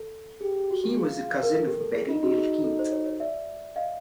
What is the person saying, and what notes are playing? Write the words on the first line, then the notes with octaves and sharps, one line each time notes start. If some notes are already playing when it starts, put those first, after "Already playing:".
He was a cousin of Berriedale Keith.
Already playing: A4
G4 G#4
F#4
G4
F4 G#4
A#4
A4
G4
A4
G#4
D#4 F4
F#4
G#4
A4
C5
C#5
C#5
D5 E5
D#5 F5